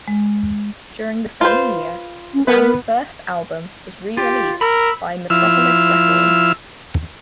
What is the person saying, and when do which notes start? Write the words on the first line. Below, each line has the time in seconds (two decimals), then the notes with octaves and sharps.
During the same year the band's first album was rereleased by Metropolis Records.
0.08 G#3
1.41 F4 B4 C5
2.34 C#4
2.47 B3 A#4 B4
4.17 F4 G4
4.61 A#4 B5 E6
5.30 F3 E4 E6 F6